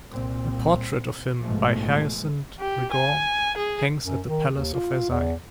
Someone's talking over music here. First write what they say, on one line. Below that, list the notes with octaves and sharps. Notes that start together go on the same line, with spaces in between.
A portrait of him by Hyacinthe Rigaud hangs at the Palace of Versailles.
C2 A#2 C4
A#1 G#2 B2 F3 G#3 A3
G4
G#5
G#4
F#2
D#3
D#2
F4
E2